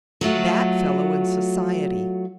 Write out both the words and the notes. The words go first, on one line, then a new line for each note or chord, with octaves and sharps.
"That fellow in Society!"
F#3 A3 F4 F#4